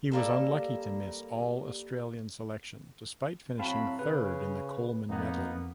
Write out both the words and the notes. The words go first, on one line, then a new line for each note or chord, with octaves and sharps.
He was unlucky to miss All-Australian selection despite finishing third in the Coleman medal.
G3 A#3 A4
A2 F#3 C4 F5 A5 B5
C#3 B4
F2 A#3 B3 D#4